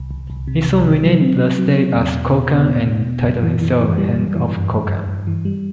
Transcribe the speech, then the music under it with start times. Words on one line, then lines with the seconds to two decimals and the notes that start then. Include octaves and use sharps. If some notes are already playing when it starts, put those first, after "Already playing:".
He soon renamed the state as Kokang and titled himself Heng of Kokang.
Already playing: C2
0.11 C2
0.30 C2
0.48 C3
0.67 C2
0.84 C3
1.03 F#3
1.21 C4
1.40 C4
1.58 F#3
1.76 C4
1.96 E2
2.14 B2
2.32 B2
2.50 B3
2.69 B2
2.87 B2
3.06 B2
3.24 F#2
3.43 E3
3.62 E3
3.79 E3
3.98 G3
4.17 F#2
4.35 E3
4.52 G2
4.71 G2
4.90 G2
5.08 G2
5.27 E3
5.45 G3